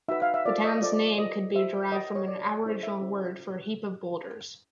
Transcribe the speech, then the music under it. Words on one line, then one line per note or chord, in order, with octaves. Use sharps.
The town's name could be derived from an Aboriginal word for "heap of boulders".
D#4 F#4 B4 E5
F5
E5
F4 A4 C5 D5
D#5
F4 A4 C5 D5
D5
F4 A4 C5 D#5
F4 A4 C5 E5
F#4 A#4 C#5 D#5
C#5
F#4 A#4 C#5 D5
C#4 E4 A4 C5
E5
C#4 E4 A4 C5